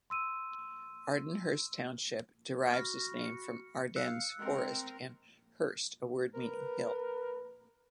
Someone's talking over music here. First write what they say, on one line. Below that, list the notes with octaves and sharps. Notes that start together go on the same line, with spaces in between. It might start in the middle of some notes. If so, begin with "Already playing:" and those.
Ardenhurst Township derives its name from Ardennes Forest and "-hurst", a word meaning hill.
C6 E6 D#7
F#4 B5 F6 A#6
C#7
F5 E6 F#6 C#7
G#3 C4 A#4
A#4 B4